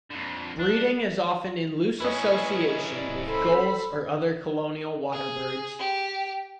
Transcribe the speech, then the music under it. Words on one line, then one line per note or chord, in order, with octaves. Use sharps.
Breeding is often in loose association with gulls or other colonial water birds.
F2 D3
D4
C#4 E4 B4 D#5 G#5 C#6
D5
A4 C5 B5
G#4
G4